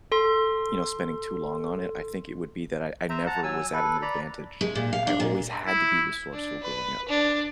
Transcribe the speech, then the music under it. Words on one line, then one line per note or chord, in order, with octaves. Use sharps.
you know, spending too long on it, I think it would be that I I never was at an advantage, I always had to be resourceful growing up.
A4 C6
C5 E5 A#5
F#5 A5 A#5
F#3 G#5 E6
A4 B4
D5 A#5 B5
G#3
A#2
F5
D4
A#2
E4
D4
B4
D4